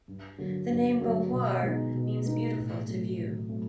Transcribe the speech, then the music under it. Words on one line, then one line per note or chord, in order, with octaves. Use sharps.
The name "Beauvoir" means "beautiful to view".
G2
D3 F#3 A#3
G2
D3 F#3 A#3
B2
G#3 B3 D#4
B2
G#3 B3 D#4
A2
F#3 A3 C4
A2
F#3 A3 C4